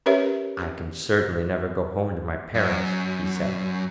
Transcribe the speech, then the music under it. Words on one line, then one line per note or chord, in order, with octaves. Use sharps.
'I can certainly never go home to my parents,' he said.
C#4 G4 A#4 B4 C#5 E5
F#2